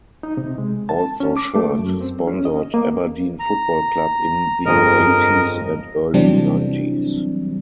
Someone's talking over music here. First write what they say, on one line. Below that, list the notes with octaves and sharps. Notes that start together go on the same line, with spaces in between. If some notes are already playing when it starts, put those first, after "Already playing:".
Also shirt sponsored Aberdeen Football Club in the eighties and early nineties.
D#4
C3
G#3
A5
C#4
D6
A3
F#2
C4
C#4
D#5
A#3
A#5
G1 F2 G#4 A#4 D#5
C3 E3 F#3 G3 C4 D4